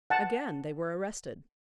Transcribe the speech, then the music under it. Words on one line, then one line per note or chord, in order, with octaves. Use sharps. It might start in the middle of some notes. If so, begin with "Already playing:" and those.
Again they were arrested.
F#5 A5